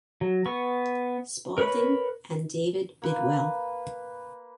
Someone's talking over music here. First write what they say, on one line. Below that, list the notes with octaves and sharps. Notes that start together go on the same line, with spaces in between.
Spalding and David Bidwell.
F#3
B3 C#6
A#4 B4 C#5 B5
A#3 B4